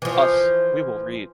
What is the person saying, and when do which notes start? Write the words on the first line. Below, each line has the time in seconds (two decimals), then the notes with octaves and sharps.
Us, we will read.
0.02 E3 F3